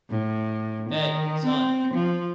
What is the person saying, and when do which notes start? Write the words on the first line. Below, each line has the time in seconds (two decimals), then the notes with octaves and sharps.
"Hey, son,
0.10 A2
0.90 D#3
1.45 C4
1.94 F3